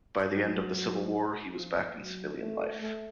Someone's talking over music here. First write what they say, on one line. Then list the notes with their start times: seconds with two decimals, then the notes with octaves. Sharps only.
By the end of the Civil War he was back in civilian life.
0.35 F#3
1.58 F3
2.00 F#3
2.40 A3
2.81 A3